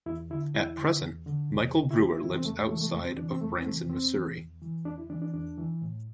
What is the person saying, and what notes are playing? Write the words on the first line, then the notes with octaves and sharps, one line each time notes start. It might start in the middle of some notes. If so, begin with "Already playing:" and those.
At present, Michael Brewer lives outside of Branson, Missouri.
E2 E4
D3 E4
E2 E4
D3
E2
D3
E2
D3
E4
E2 G4
E4
C3 E3 E4
C4
E2 A3
A3
C3 E3 A3
A3
E2 A3
C4
E3 D4
C3
C4
E2 A3
C4
C3 E3 A3
E2 C4
E3
E2
E3
E2 D4
E4
E3 D4
D4
E2 D4
E3
A2